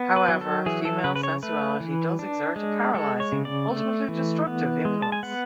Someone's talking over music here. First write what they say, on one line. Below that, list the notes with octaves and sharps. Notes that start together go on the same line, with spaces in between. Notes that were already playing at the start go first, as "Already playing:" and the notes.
However, female sensuality does exert a paralyzing, ultimately destructive influence.
Already playing: B3
B4
F#3
A4
E3 G#4
A4
C#3 B4
B4
C#5
A3 B4
E3
D4
G#3
G#3 A4
C#5
C#3
D5
A3
E3
B3
G#3
A5
G#5
B3 F#5